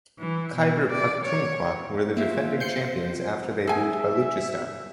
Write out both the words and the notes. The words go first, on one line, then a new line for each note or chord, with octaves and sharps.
Khyber Pakhtunkhwa were the defending champions after they beat Baluchistan.
E3
B2
D5
C#5
A#3 F4 G4 E5
C5 G6 C7 C#7
G#4 E5 G#5